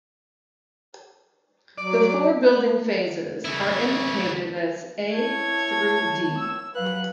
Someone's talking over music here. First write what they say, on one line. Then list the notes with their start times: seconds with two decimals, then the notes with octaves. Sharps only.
The four building phases are indicated as a–d.
1.78 F#3 D5
3.45 C#3 E4
5.14 E4 C#5 A5 G#6
6.38 E6
6.74 F#3 B4 F5 F#6